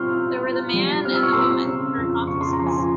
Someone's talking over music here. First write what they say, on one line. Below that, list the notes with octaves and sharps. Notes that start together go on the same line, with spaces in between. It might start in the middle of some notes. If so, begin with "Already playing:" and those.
There were the man and the woman, her accomplices.
Already playing: G3 C4 C6 C#6 E6 F6 G6
F4
F4
G3
C4 F6
E6
C#6
C4 C6 E6
C#3
F2
C#3 C#6
C6
A#5
F3
G#5 C6